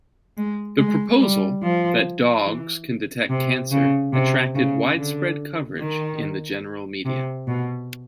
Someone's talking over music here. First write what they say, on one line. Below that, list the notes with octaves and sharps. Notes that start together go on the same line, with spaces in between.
The proposal that dogs can detect cancer attracted widespread coverage in the general media.
G#3
G#3
G3
F3
E3
C3
C#3
C3
C#3
D3
D#3
C3
B2